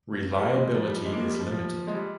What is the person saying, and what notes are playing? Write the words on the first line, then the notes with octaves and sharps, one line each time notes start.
Reliability is limited.
G3
G#3
A#3
G#3
F3
G3
G3
G#3
A#3
G#3
G3
F3
F3
G#3
G3